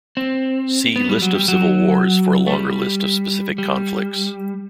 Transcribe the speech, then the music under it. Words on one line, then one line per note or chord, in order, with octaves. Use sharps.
See List of civil wars for a longer list of specific conflicts.
C4
B3
G3
F#3
G3
F#3
A3
G3
G3